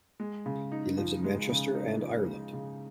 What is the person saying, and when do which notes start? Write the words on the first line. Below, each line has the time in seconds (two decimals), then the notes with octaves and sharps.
He lives in Manchester and Ireland.
0.20 G#3
0.46 C#3
0.72 D#4
0.97 F3
1.24 G#3
1.49 C#3
1.75 D#4
2.01 F3
2.27 G#3
2.53 C#3